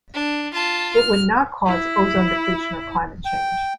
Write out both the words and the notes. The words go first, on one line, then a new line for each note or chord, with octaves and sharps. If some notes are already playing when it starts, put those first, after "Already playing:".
It would not cause ozone depletion or climate change.
D4
F4 A5
F6
E4
G5